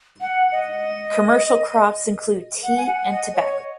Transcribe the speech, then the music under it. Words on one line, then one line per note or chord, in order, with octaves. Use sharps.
Commercial crops include tea and tobacco.
F#5
D#5
F#5
G#5
F#5
D#5
C#5